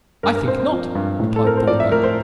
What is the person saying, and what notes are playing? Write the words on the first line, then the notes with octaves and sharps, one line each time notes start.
"I think not," replied Thorndyke.
G2 A#4
A#4
C4 C5
C5
F3
G2
A2
A4
C4 A#4
C5
F3 D5
E5
A2 A#4
C5